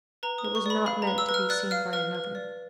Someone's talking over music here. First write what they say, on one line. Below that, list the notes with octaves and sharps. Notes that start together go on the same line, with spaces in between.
It was not meant to be seen by another.
B4 A#5
D#6
B4
C#6
D5 B5
F5 B5
A#5
B4
E6
B4
F6
D5 F#6
F5 F6
B4 F6
B4
D5